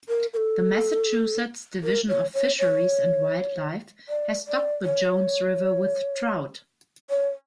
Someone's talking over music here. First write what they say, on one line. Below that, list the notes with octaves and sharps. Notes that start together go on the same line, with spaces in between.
The Massachusetts Division of Fisheries and Wildlife has stocked the Jones River with trout.
A#4
A#4
A4
A#4
C#5
C#5
C#5
D5
D5
C#5
C#5